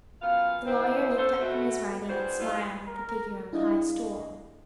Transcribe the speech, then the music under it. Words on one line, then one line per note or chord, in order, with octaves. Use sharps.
The lawyer looked up from his writing, and smiled at the figure on the high stool.
F#2 B3 F4 F5
G2 D#3 C4 E4 C5
C4 C#4 A4 C5
B2 A3 F#4
G2 E3 G3 F#4 G#4 C5
E3 G3 D#4 F4
A#4
D4 E4 G#4 D#5 F5